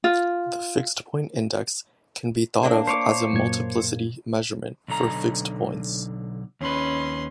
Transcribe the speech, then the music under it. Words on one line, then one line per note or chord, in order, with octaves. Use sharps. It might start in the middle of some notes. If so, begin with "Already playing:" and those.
The fixed-point index can be thought of as a multiplicity measurement for fixed points.
F4
A#3 D4
C5 C#5 D6
F#2 A#2 G#6
B1 D3 A#5
D#2 C#4 B4 C6